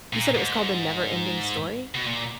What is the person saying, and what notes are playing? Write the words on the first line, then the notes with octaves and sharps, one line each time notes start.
You said it was called The NeverEnding Story?
A#2
G#2
B2
A#2